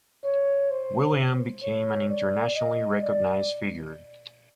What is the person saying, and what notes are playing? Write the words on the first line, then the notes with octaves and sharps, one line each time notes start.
William became an internationally recognised figure.
C#5
C5
C#5
D5
D#5
D5